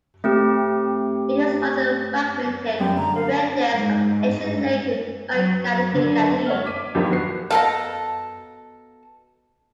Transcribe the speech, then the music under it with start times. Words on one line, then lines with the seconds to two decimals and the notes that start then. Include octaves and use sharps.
It is one of the fragmented remnants of the ancient Lake Makgadikgadi.
0.24 A3 C4 G4
2.79 F#2 G3 G5
2.97 D3 A#5
3.15 F5
3.74 G#2
5.34 F#3
5.92 D3
6.46 C#5 E5 F#5 F6
6.66 D6 B6 D#7
6.95 E2 G2 D#3 F3 F#3 B3
7.10 E2 F#4 B4 C7
7.51 B2 C4 A4 F5 A#5